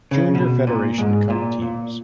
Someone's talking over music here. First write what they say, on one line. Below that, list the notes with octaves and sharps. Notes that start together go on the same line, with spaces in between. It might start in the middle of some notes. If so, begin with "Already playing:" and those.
Junior Federation Cup Teams.
C#3
B2
A#2
G#2
A#2
A#2